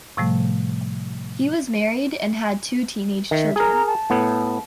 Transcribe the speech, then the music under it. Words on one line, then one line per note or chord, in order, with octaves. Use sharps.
He was married and had two teenage children.
A2 C3 F3 G3 A3
D#3 E5
G#4 A#4 A#5
A5
A2 B3